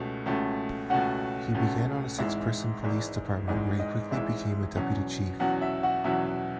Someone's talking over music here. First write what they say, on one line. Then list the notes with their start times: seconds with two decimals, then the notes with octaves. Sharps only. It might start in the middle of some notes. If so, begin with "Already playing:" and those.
He began on six-person police department where he quickly became a deputy chief.
Already playing: C#2 B2 A3 C#4
0.26 C#2 B2 A3 C#4
0.90 C#2 B2 A3 C#4 F#4 F#5
1.54 C#2 B2 A3 C#4
2.18 G#1 G#2 E3 G#3 E5
2.84 G#1 G#2 E3 G#3
3.47 G#1 G#2 E3 G#3 D#5
3.80 D#5
4.11 G#1 G#2 E3 G#3 E5
4.76 E2 B2 F#3 C#4
5.40 E2 B2 F#3 C#4 F#4 F#5
5.61 E5
5.83 F#4 F#5
6.04 E2 B2 F#3 C#4 E5